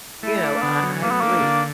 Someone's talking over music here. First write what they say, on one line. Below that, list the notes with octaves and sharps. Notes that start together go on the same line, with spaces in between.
you know, I I agree,
A3 E4
D4
A#3
D3 B3
F#3
A3 A#3
B3
A#3 D4
D3